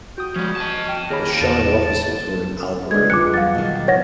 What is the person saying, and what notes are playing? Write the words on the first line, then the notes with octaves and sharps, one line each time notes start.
The shire offices were in Albury.
F#4 G5 D#6
F3 G#3 C#4
D#5 A5
G5
D#2 G#4 A#4 C#5 B5
E2 A5
G#3 D4 A4 B4 G#6
E2 D3 G3 F4 D6 F#6 C#7
F#3 F5 A6
B2 D#3
F3 C#5 F#5 A#6